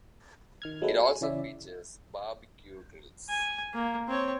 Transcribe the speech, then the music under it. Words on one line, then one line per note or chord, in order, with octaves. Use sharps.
It also features barbecue grills.
D#3 F6 G#6
F#3 G#3 A3 B3 A4 B4
G#5
C#3 E3 C#4 E4 D5 E5
G#5
A#3
C4 C#5